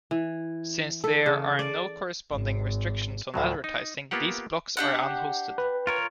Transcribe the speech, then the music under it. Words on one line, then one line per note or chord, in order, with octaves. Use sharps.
Since there are no corresponding restrictions on advertising, these blocks are unhosted.
E3
A4
C#3
D5
G#1
D2 A2 F#3
D#4
A#3 B3 F4 G4 F#5
D4 G4 F#5
B4
F4 A#4 C#5